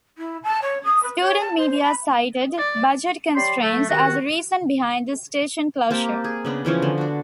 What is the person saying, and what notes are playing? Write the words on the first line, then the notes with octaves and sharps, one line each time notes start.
Student Media cited budget constraints as the reason behind the station closure.
E4
A5
C#5
D#6
B4
C#5
A5
C5
B5
D5
G4 C#5 D5 B5 C6
A3
C2 D#3 F#4
A#3 C4 G4 A5
G#4
C#3 B3 D4
C#3 E3 F3 C#4
D3
D4 F#4